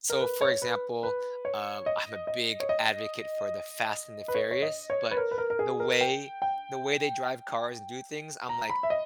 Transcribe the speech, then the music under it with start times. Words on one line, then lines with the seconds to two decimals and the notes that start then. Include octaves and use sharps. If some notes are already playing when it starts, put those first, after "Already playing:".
So, for example, um, I'm a big advocate for The Fast and the Furious, but the way the way they drive cars and do things, I'm like,
0.10 A#4
0.20 B4
0.41 C#5
0.51 C#5
0.62 B4
1.03 B4
1.45 C#5
1.86 D#5
2.27 D#5
2.60 C#5
2.69 D#5
4.28 B4
4.35 C#5
4.51 C#5
4.62 D#5
4.90 C#5
5.11 B4
5.17 A#4
5.31 B4
5.38 A#4
5.50 A#4
5.59 G#4
5.80 A#4
6.01 G5
6.42 G5
8.49 A#5
8.70 B5
8.83 E5
8.90 D#5